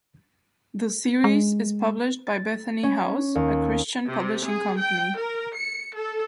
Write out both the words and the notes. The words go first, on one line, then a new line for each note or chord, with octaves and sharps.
The series is published by Bethany House, a Christian publishing company.
G#3
A6
C#4
D#2
C3
G#4
G5
A#4
C#7
A4